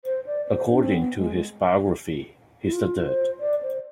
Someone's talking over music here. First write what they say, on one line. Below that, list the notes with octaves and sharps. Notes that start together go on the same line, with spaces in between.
According to his biography, he stuttered.
C5
D5
C5
D4
C4
B3
G#3
E4
F4
C5
D5
C5